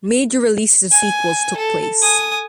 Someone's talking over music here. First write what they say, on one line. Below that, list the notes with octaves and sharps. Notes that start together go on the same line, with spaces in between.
Major releases of sequels took place.
G#5
A4
G#5 D#6